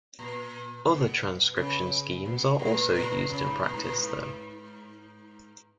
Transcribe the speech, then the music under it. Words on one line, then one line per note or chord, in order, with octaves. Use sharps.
Other transcription schemes are also used in practice, though.
A#2
B2
C#3
B2
A#2
A#2
A#2
C#3
G#2
A#2
G#2
A#2
G#2